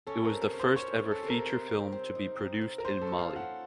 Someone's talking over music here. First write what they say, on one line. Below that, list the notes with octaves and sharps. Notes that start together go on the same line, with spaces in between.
It was the first ever feature film to be produced in Mali.
C#4 A4
C3 A#4
A#4
C#4
C5
C#4 C#5
C#4
A4
C3
A#4
C4
C4
C4
D#4
C4
C4
A#4
A#3 C5
A4
C#4
F5
F3
F#5